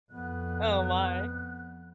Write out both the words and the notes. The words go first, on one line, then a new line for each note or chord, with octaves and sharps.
Oh my.
F2 B3 F#6